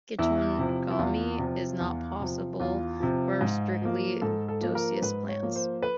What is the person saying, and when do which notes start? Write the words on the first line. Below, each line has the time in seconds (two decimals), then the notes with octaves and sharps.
Geitonogamy is not possible for strictly dioecious plants.
0.19 E2 E4
0.59 C3 F3
0.91 E4
0.99 E2 F4
1.39 C3 F3
1.80 E2
2.20 C3 F3
2.60 E2 F4
3.00 C3 F3
3.41 G#2
3.82 F3 A#3
4.21 G#2 A4
4.48 A4
4.61 F3 A#3
4.75 A#4
4.97 C5
5.02 G#2 B4
5.29 C#5
5.42 F3 A#3
5.56 C5
5.82 B4